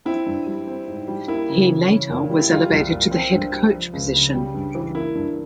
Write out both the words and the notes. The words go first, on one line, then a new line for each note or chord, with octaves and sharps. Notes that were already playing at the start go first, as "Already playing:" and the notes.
He later was elevated to the head coach position.
C4 E4
G2
G3
C4
G#2
G3
A#3 E4
C#3
E3
C#4
A#2
G3
E4
G3 F4
C2
A#2
C4
G2
G3
F3
C#2
C#3
G3
G2
E3
A#3 E4
G2